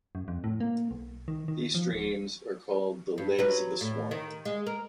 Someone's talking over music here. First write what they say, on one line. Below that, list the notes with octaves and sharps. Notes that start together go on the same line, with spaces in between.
These streams are called the "legs" of the swap.
F#2
F2
A2
A#3
B1
D#3
D#3
F3
D1
G2
F#3 B4
A2
D#3
G#3
A#4